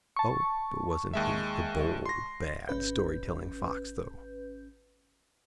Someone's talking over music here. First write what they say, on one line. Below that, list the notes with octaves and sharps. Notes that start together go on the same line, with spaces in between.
Oh, but wasn't he the bold, bad story-telling fox, though?
A5 C#6
D#2 G#3 E5
C6 A#6
G#1 C#4 B4 G6